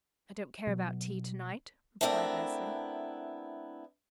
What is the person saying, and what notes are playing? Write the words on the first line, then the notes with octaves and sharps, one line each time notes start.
"I don't care about tea to-night," replied Leslie.
B2 F#3
A3 B3 C4 D4 E4 A#4